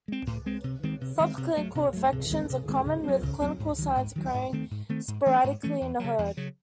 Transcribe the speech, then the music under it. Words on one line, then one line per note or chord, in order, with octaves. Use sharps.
Subclinical infections are common, with clinical signs occurring sporadically in a herd.
G#3 C4
A2
G#3 C4
C3
D#3 G#3 C4
C3
D#3 G#3 C4
C3
F#3 A3
C3
F#3 A3
C3
D#3 G#3 C4
C3
D#3 G#3 C4
C#3
F#3 C4
C#3
F#3 C4
G#2
D#3 F#3
G#2
D#3 F#3
G#2
D#3 A3 C4
G#2
D#3 A3 C4
G#2
E3 A3 C#4
G#2
E3 A3 C#4
E2
C#3 F#3
E2
C#3 F#3